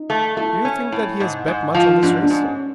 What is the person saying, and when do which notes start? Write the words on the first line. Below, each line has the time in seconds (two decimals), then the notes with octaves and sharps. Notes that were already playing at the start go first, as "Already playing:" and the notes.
"Do you think that he has bet much on this race?"
Already playing: D#4
0.10 A3
0.37 A3 E4
0.65 C#4
0.92 A2
1.20 G#2
1.48 G#2
1.74 F3
2.02 G#2 D4
2.23 D4
2.30 G#2
2.44 C#4